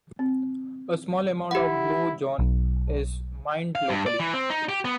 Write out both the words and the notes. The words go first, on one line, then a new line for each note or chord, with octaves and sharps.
A small amount of Blue John is mined locally.
C4
E4 G4 F#5
B1
F5
G2
D5
E3
C4
D#4
G4
B3